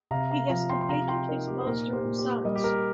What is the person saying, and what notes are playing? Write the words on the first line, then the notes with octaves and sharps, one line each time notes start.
He has completed his Master of Science.
C3 F5 A#5
F5 A#5
F3 F5 A#5
G5 C6
C6
C3 F5 A#5
G5 C6
D#4 A#4
G4
C5
A#2 A#4
G4 C5
A#2
G4 C5
G3 A#4 D#5
G4
A#4